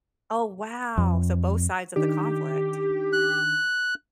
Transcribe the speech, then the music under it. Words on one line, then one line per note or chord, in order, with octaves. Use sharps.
Oh, wow. So both sides of the conflict.
F2
D#3 D4 D#4 G4
F#6